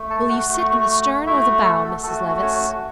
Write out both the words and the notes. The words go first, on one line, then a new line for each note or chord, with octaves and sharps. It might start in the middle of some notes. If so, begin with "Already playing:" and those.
"Will you sit in the stern or the bow, Mrs. Levice?"
Already playing: A3
A4 A5
F#4 F#5
A3 F#4
A3 E4 F#4 E5
A4
A4
A3 F#4 A4
C#4 C#5